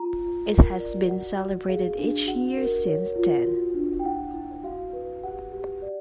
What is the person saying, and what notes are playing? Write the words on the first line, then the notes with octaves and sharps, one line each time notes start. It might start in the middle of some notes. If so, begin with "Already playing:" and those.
It has been celebrated each year since then.
Already playing: F4 A#5
F4
A#4
D5
F#4 F#5
F#4
G#4 F5
D4
F#4 F#5
A#4
C#5
F4
F#4
D4
G5
E4 F#5
E4
F#4 F5
B4
G4 F#5
G4
D5